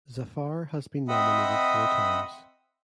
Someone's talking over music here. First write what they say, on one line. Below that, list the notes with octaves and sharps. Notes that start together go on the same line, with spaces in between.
Zafar has been nominated four times.
C4 D#5 E5 F#5 B5 D#6